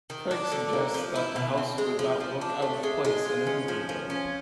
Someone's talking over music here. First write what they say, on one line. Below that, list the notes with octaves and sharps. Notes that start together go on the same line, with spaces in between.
Craig suggests that the House would not look out of place in a Hooverville.
D#3
D4
D3
A#3
F3
E4
B2
C4
G#3
F3
F3
D4
A3
G#3
G#3
F4
C#4
F3
F3
C#4